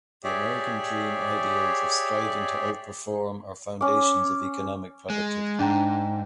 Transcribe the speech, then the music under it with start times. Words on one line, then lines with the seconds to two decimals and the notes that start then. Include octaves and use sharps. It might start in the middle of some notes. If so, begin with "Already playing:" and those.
The American Dream ideals of striving to outperform are foundations of economic productivity.
0.24 G4 G#4 C#5 D5 E5
3.81 C#4 D6
5.10 G#3
5.59 G#2 D4 G5 A#5